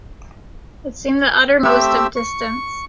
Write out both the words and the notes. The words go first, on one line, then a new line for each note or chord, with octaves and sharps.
It seemed the utter-most of distance.
A3 C4 G4 E5 E6
C#6